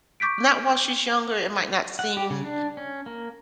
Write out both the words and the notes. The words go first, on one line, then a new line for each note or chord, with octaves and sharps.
not while she's younger, it might not seem,
C#6 D6 G6 B6 D7
F#5
G4
C#3
D4
C#4
A#3